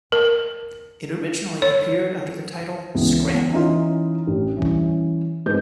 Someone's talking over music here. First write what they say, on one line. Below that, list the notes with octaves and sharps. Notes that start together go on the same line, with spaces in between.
It originally appeared under the title "Scramble".
A#4
C#5
C#2 E3 B3
E2
E3 C#4 D#4 F4
A1
E3 G3 C#4
F2 G#2 B4 G6